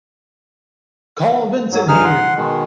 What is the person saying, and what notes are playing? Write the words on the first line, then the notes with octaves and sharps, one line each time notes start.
Call Vincent here!
G#2 F#3
G2 D#4 G#4 F6
F#5 C6
B2 D#3 G#3